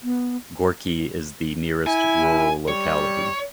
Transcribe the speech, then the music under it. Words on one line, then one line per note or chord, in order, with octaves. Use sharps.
Gorki is the nearest rural locality.
B3
E4 G#5
G3 C#5